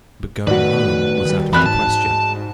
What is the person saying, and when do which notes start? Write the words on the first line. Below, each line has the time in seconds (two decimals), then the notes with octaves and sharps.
But going home was out of the question.
0.47 A2 D#3 F#4 B4 D5
1.25 D#3 G3
1.53 F2 E3 C4 B5 F#6
1.66 G#2 A5